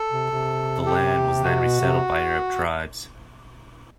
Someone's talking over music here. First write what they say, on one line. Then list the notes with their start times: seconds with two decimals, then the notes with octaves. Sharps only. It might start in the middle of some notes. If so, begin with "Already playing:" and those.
The land was then resettled by Arab tribes.
Already playing: A4
0.11 C3
0.30 C3
0.86 G4
1.43 C3 F#4
1.62 B2
1.81 C3